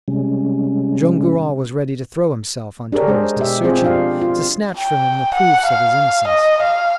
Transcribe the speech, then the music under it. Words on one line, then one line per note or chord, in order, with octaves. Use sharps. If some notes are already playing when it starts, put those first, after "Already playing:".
Joam Garral was ready to throw himself on Torres, to search him, to snatch from him the proofs of his innocence.
C3 G3 G#3 C#4
D4 G4 G#4 A#4 C#5
G#3 G#4 C5
B2 G4 E5
C4 F4 G#4 C5
F3 D4 F4 G4 F5
F4
G5
F#5
F5
D#5
F5